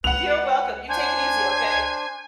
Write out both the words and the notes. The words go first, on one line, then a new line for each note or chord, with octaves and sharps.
You're welcome, you take it easy, okay?
C#2 B4 F#5 F7
D4 C5 G#5